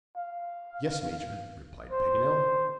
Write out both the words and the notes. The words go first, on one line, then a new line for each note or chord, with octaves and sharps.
"Yes, Major," replied Paganel.
F5
C5